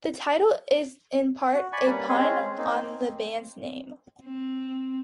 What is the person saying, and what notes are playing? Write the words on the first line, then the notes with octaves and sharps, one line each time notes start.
The title is in part a pun on the band's name.
F#4
D5 G#5 B5 C#6
G3 A#3 C#4 B4
G#3 C4 C#4 G#4
A#3 C4 D#4
C4